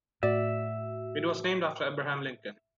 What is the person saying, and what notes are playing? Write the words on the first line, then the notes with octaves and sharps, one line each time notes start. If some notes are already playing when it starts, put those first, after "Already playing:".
It was named after Abraham Lincoln.
A2 F#4 D5 E5